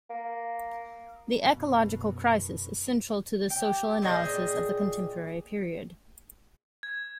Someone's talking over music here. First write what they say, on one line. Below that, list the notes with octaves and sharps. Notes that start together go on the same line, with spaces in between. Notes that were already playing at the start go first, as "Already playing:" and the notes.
The ecological crisis is central to this social analysis of the contemporary period.
A#3
F#2 B2
G4
A#2 G#4 D#5 G5
G#6